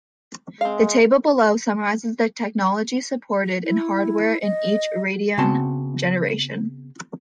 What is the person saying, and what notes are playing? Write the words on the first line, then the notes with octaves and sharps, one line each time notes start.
The table below summarizes the technologies supported in hardware in each Radeon generation.
G#3 C4 F5
E4
D#5
C#3 B3 C4 F#4 A5 C6